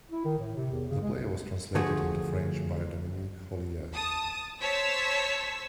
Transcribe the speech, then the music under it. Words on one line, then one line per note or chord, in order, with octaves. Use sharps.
The play was translated into French by Dominique Hollier.
E4
D#3
A2
C3
E2
C#3
G#3
D3 F3 A3 F#4 G#4
A5 D#6
C5 C#5 A5 E6 B6